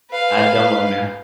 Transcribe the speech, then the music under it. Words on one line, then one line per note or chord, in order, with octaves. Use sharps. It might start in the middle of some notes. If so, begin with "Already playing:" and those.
I don't wanna.
B4 F5